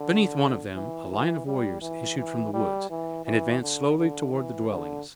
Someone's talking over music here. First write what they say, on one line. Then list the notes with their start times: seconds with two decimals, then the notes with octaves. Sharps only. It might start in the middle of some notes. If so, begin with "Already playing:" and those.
Beneath one of them, a line of warriors issued from the woods, and advanced slowly toward the dwellings.
Already playing: D3
0.75 E3
1.11 E3
1.46 G3
1.82 E3
2.18 E3
2.54 G3
2.90 E3
3.25 E3
3.61 D3
3.98 D3
4.34 E3
4.69 D3